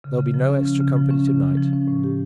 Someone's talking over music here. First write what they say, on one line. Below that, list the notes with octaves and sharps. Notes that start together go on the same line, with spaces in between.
There'll be no extra company to-night.
C#3
C#3
F3
C#4
C#3
C#3
F3
C#4
C#3
C#3
F3
C#4
A2
G4